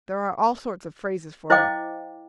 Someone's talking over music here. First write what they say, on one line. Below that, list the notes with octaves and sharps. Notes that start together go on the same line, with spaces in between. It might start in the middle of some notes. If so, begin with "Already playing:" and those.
There are all sorts of phrases for it.
E4 C5 D#5 F5 G5 D6